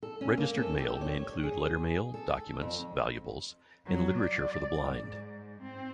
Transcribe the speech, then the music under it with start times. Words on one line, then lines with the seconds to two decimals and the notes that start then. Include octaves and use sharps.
Registered Mail may include lettermail, documents, valuables, and literature for the blind.
0.03 A4
0.21 C#4
0.37 A#3
0.57 A4
0.78 G4
1.01 C#5
1.43 G#4
2.14 A4
2.62 F2
3.86 F#3
4.20 D5
4.89 G#2
5.61 C4